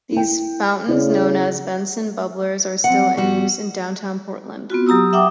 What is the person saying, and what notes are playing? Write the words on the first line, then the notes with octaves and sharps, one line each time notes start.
These fountains, known as "Benson Bubblers", are still in use in downtown Portland.
E4 G5
C#3 E4 D5
F#3 C4 F#5
G#2 F3 G3 B3 F#4
B3 C4 F4 F#4
F#3 G4 A#5 D#6 E6
E5 F#5 G5 D6 D#6